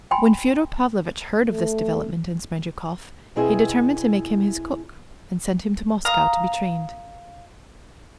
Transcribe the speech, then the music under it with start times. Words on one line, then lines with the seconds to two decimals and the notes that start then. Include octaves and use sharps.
When Fyodor Pavlovitch heard of this development in Smerdyakov he determined to make him his cook, and sent him to Moscow to be trained.
0.11 G5 G#5 B5 C6
1.48 A3
3.36 B2 C4 E4 G#4 E5
6.05 F5 A#5 D#6